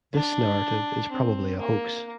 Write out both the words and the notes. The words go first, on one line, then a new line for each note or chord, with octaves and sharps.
This narrative is probably a hoax.
D4
C4
A#3